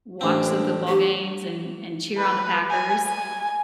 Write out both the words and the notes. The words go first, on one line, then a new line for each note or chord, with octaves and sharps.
watch some football games and and cheer on the Packers,
A1 C4 D4
G4
B4
G#5
G#5